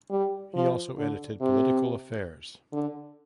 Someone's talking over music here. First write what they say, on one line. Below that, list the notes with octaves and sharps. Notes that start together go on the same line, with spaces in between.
He also edited "Political Affairs".
G3
F3
D3
C3
D3